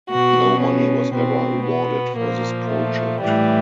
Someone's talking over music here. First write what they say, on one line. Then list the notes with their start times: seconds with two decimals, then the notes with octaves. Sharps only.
No money was ever awarded for this project.
0.10 B2 F#4
0.62 C#4
1.14 B2 C4
1.65 B3
2.18 A#2 F3 A#3
2.69 A3
3.22 A2 E3 G3